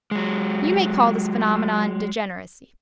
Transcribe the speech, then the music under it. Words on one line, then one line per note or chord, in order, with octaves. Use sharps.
You may call this phenomenon degeneracy.
F#3 G#3